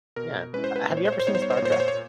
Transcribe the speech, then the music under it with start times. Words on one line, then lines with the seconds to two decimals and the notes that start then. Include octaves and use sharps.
Yeah. Uh, have you ever seen Star Trek?
0.16 B2 A#4
0.53 G#3 C#4 E4 B4
0.64 C5
0.76 B4
0.90 A#2 C5
0.97 C#5
1.05 C5
1.12 C#5
1.20 C5
1.27 G3 B3 D#4 C#5
1.35 C5
1.42 C#5
1.50 C5
1.57 C#5
1.62 A#2 C5
1.72 C#5
1.80 C5
1.88 C#5